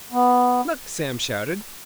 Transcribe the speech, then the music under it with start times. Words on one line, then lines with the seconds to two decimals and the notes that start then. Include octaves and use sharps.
"Look!" Sam shouted.
0.12 B3